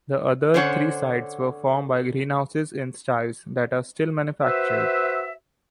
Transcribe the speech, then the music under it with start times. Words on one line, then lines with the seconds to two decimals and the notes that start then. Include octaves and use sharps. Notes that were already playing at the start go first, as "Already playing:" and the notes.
The other three sides were formed by greenhouses in styles that are still manufactured.
0.54 D3 C#4 C5 C#5 F#5
4.43 F#4 B4 C5 E5